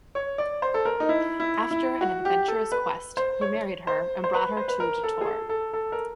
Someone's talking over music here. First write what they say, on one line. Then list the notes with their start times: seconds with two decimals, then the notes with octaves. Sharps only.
After an adventurous quest, he married her and brought her to Chittor.
0.15 C#5
0.38 D5
0.62 C5
0.74 A4
0.85 A#4
1.00 D#4
1.09 E4
1.40 E4
1.71 E4
2.01 F#4
2.25 G4
2.48 A4
2.72 B4
3.17 C5
3.41 C#5
3.87 C5
4.24 C5
4.34 B4
4.57 C5
4.68 B4
4.80 A#4
5.03 A4
5.21 G#4
5.26 A4
5.49 A4
5.73 A4
5.92 A#4